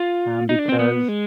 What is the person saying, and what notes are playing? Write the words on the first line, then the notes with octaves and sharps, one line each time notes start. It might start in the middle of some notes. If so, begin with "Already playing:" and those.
Um, because
Already playing: F4
D#4
D4
C4
B3
G#3